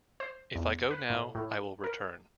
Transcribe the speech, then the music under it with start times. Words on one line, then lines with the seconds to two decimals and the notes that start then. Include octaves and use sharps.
If I go now, I will return.
0.20 C5
0.56 E2
0.91 B4
1.10 A2
1.35 A2
1.84 A#4